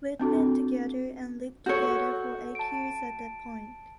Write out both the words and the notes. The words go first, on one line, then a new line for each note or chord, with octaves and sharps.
We'd been together, and lived together for eight years at that point.
C4 D4 F#4 A4
F#4 A4 C#5 G6
A5 D7